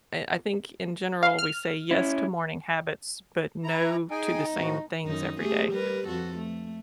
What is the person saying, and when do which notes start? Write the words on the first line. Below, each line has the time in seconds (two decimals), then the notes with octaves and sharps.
eh, I think in general we say yes to morning habits, but no to the same things every day.
1.23 F5
1.39 F6
1.91 C#4 E4
3.63 E3 E4 A#5
4.11 D#4 G#4 G5 G#5
4.57 A2 F3 F#4
5.05 F#2 D#3 D#4
5.40 A3 G4 G#4
5.72 G3 A#4 B4
6.06 F2 F#4 A4
6.37 A3